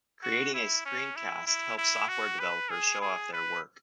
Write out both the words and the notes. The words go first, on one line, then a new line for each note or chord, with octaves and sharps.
Creating a screencast helps software developers show off their work.
F#4
E4
C#4
E4
E4
E4
F#4
B4
G#4
G#4
B4